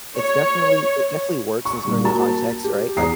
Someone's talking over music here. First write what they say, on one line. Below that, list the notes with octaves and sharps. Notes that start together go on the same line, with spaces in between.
it's definitely it definitely works in certain contexts, right? Like,
C#5
C#6
G2 A#2
A#3 F#4 A5
G4
E2 A#5 D#6 C7